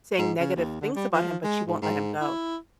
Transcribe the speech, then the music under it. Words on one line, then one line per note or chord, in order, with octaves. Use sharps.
saying negative things about him, but she won't let him go.
G#2
C#3
D#2
D3
G3
F3
G#3
G#2
G#2
E4